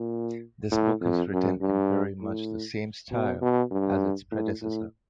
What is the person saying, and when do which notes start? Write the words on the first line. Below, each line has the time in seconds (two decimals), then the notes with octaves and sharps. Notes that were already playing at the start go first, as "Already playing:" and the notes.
This book is written in very much the same style as its predecessor.
Already playing: A#2
0.71 A2
1.01 F2
1.31 F#2
1.61 G2
2.21 A2
3.11 B2
3.41 B2
3.71 G2
4.31 A2
4.62 A2